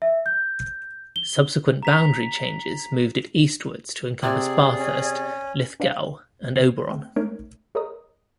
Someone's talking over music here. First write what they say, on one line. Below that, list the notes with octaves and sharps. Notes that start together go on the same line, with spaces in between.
Subsequent boundary changes moved it eastwards to encompass Bathurst, Lithgow and Oberon.
E5
G6
G7
A#5 B6 F7
C3 G#4 D5
C#4
D4 B4 D5 D#5 F5
D3 G#6 C7
A3 C4
G#3 A3 D#4 A#4 C#5
G#4 A#4 C#5 D#5 A#5 D#6